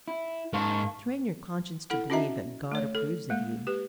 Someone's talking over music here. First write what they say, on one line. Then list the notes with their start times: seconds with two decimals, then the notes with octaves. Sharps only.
Train your conscience to believe that God approves of you.
0.08 E4
0.53 G#2 A#4 F5 A5 C#6
1.90 E4 A4 F#5
2.10 C#4 E4 F#4 D#5 E5 A#5
2.72 A3 C#5
2.95 A4
3.30 G#3 A#3
3.67 G4 B4